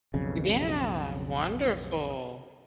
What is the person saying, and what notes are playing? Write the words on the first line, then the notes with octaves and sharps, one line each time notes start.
Yeah, wonderful.
B1 F2 C#3